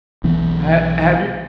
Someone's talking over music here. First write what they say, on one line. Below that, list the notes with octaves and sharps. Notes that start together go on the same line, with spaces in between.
ha have you
B1 E3 B3